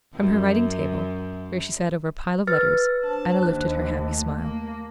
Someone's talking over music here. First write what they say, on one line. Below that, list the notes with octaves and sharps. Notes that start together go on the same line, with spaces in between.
From her writing-table, where she sat over a pile of letters, Anna lifted her happy smile.
F#2
B4 F6 A6
D4 C5 A5
D#2 F#6
A3 A5
A#3